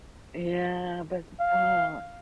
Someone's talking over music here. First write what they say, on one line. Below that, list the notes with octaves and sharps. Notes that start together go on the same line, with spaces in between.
Yeah, but, aw
F5